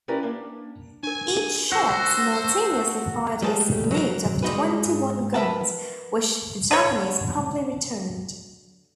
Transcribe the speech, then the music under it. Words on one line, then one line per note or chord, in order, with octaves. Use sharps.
Each ship simultaneously fired a salute of twenty-one guns, which the Japanese promptly returned.
C#4 E4 G4 A#4 B4 D5
A#3 D4
D4 A#4 G#5
F#4 C5 E6
G3 G#3 A5
F#3 A#4
G3 G#3 B3 D#4 F#4 B4
G#2
A#4 B4 D5 E5 F#5 A5
D3 C#5